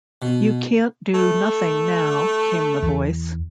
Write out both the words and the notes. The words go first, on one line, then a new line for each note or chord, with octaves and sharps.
"You can't do nothing now," came the voice.
B2
A3
E2